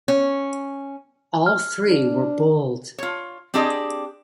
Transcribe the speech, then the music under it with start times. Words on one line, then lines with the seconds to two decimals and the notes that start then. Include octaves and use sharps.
All three were bowled.
0.08 C#4
1.46 F6
1.88 D4
2.98 F4 C#5
3.54 C4 D4 G4 G#4 D#5